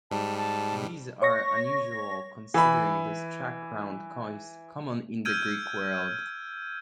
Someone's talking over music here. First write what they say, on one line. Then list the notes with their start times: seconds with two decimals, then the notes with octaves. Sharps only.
These are unusual considering the struck, round coins common in the Greek world.
0.11 G#2 G3 A5
0.37 A5
1.22 C#5 C#6 A#6
2.54 E3 B5
5.25 E6 F6 G6 G#6 D7 D#7